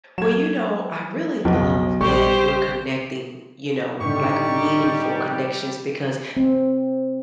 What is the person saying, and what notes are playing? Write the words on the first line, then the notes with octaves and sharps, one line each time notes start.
Well, you know, I really love that we're connecting, you know, like, meaningful connections, because
F#3 G#6 E7
B1 F2 B3
A#1 G3 G4 C5 C#6
A2 D3 G3 D#4 G4 C#6
C4